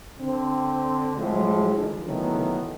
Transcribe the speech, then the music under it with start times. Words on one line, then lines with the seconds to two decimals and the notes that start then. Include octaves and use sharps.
Seemingly, nothing has changed.
0.18 D3 C4
1.17 A2 F3 G#3
2.05 D#3 E3 F#3 A3 B3